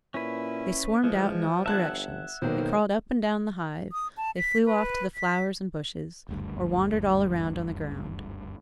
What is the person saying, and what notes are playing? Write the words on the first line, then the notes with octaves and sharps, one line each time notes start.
They swarmed out in all directions; they crawled up and down the hive; they flew off to the flowers and bushes, or wandered all around on the ground.
A#2 C#4 E4 B4
E3 F3 G#3
G1 E5 F#5 A5 F#6 G#6
B1 B2 D#3 A#3 C5
D#6
A5
B6
B4
B6
F#1 D2 G2